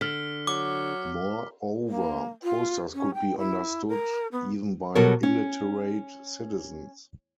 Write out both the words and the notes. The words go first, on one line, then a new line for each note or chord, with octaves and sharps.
Moreover, posters could be understood even by illiterate citizens.
D3 F6 B6
F#3 D6
A#3
F4
C#4
G5
E4
A#4
B3
B2 F#3 G3 A4 A#4 C#5
C#4